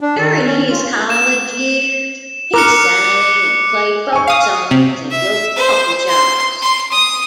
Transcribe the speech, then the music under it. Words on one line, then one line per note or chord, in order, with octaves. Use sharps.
During his college years, he sang and played folk songs in local coffee shops.
D4
D#3
C#4
F4
E7
A#4 D6 F#6 C#7
G#5 C#6
F5 D#6
C3
E5
C5
C6
C6
D#6